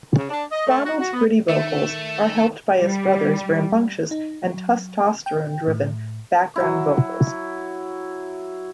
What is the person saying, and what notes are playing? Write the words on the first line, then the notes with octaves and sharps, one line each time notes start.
Ronald's gritty vocals are helped by his brothers' rambunctious and testosterone-driven background vocals.
C#3
D4
D#5
A3
F#4
F#4
B3
D#3 A3 E5
G3
D#4
F#3
G5
A2
F#3 E4